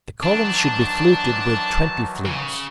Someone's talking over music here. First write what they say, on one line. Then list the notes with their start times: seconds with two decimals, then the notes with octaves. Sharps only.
The columns should be fluted with twenty flutes.
0.23 D#3 E3 F#3 D4 A5
2.26 C#3